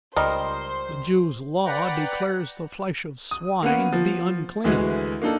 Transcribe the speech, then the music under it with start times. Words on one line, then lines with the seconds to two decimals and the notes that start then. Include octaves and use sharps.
The Jews' law declares the flesh of swine to be unclean.
0.16 C#2 G3 A#4 C5 D#5
1.65 B4 D5 F#5 G5 A#5 B5
3.31 D#6
3.63 A#3 B3 C#4 F#5 D#7
3.92 F3
4.64 D2 E3 G#3 F#4
5.22 A#3 D4 D#4 A4